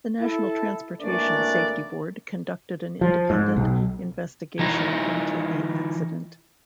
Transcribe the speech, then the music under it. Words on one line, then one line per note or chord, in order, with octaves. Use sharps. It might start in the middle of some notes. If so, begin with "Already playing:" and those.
The National Transportation Safety Board conducted an independent investigation into the accident.
E4 A4
G#1 E3 A3 A#3 D4 D5
F3
G#2
B1
E3 D#4 F4